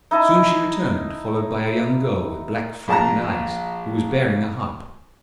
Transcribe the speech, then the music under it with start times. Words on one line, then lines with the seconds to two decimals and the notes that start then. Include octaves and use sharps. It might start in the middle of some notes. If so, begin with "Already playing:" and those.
Soon she returned followed by a young girl with black, frightened eyes, who was bearing a harp.
0.11 D#4 E4 D#5 A5
2.88 A#1 A5 A#5